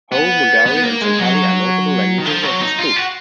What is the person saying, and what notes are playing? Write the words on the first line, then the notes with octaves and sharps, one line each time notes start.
Ho, Mundari, and Santali are notable languages of this group.
B3
B3
A#3
G#3
F#3
D#3
F3
F#3
D#4
F4
F#4